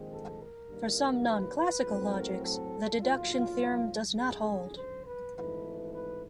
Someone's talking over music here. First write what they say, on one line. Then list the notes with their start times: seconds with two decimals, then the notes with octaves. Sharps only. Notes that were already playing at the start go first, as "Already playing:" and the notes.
For some non-classical logics, the deduction theorem does not hold.
Already playing: A#1 G#2 D#3 G#3 C4
0.11 A4
0.40 A#4
0.70 G2 D#3 G3 A#3
1.27 B4
1.57 B4
1.86 A2 F#3 A3 C4
2.15 A#4
2.44 A4
3.02 B1 A#2 F#3 F4
4.18 G#1 F#2 D3 G#4
4.76 C5
5.05 B4
5.35 G#1 G#2 E3 A3 B4
5.93 B4